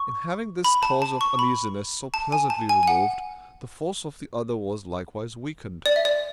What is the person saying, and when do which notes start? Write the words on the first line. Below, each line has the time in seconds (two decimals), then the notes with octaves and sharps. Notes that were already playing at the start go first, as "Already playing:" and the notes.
In having this cause of uneasiness so pleasantly removed, the force of the other was likewise weakened.
Already playing: C#6
0.64 B5
0.83 A5
1.02 A5
1.21 C#6
1.39 B5
2.14 A5
2.32 G#5
2.50 A5
2.69 G#5
2.83 G#5
2.88 F#5
5.86 D5
5.96 E5
6.05 D5